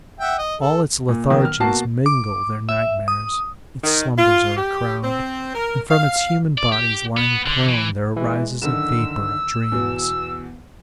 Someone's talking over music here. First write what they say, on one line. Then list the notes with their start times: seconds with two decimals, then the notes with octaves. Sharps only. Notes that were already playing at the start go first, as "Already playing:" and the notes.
All its lethargies mingle their nightmares, its slumbers are a crowd, and from its human bodies lying prone there arises a vapour of dreams.
0.20 E5 F#5 G5
0.38 D#5
0.61 A4
1.09 A#2
1.30 B2 D#3 F#3
1.45 F6
1.60 B2 A#3 F#4 A5 C7
2.06 D6
2.69 E5
3.08 D#6
3.84 D#3
4.18 F4
4.57 G4
5.03 C4
5.54 A#4
5.90 F5
6.58 D5
6.72 G4
7.17 B3
7.46 D3
7.68 E3
8.16 E3 G#3
8.62 F#1 D3 D#3 E6
9.72 E2 B2